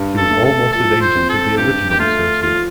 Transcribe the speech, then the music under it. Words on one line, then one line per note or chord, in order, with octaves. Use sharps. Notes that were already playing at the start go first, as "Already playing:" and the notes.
She was almost as ancient as the original Circe.
Already playing: G2
A4
A3
A4
F3 A4
C5
C4
A4
G2 G4
G4
A3 F4
F3 F4